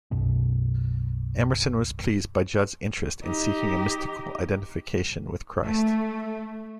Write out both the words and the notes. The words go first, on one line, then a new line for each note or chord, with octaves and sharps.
Emerson was pleased by Judd's interest in seeking a mystical identification with Christ.
B1 F#2 B2
D#4 G4
A3